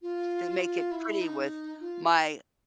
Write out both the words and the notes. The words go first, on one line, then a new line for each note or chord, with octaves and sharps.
then make it pretty with my
F4
F4
E4
D#4
F4